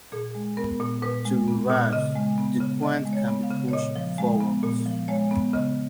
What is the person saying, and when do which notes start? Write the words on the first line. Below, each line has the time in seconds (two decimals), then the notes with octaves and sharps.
To reverse, the quant can be pushed forwards.
0.12 A#2 G#4
0.35 G#3
0.57 B3 A#4
0.79 A#2
1.02 A#2 B4
1.25 G#3
1.48 B3
1.70 A#2
1.93 C#3 D#5
2.16 G#3
2.38 B3
2.60 C#3
2.83 C#3 D#5
3.05 G#3
3.13 C#5
3.28 B3
3.43 F5
3.51 C#3
3.68 C#5
3.73 A#2 D#5
3.95 F3
4.18 G#3 F5
4.40 B3
4.63 A#2
4.86 F3
5.08 G#3 C#5
5.31 B3
5.53 C#3 D#5